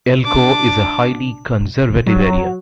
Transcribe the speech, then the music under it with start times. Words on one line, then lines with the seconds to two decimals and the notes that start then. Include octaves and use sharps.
Elko is a highly conservative area.
0.23 D4 D6
2.06 F#3